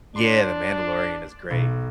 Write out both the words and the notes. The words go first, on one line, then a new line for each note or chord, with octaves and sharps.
Yeah, The Mandalorian is great.
D4 C6
B1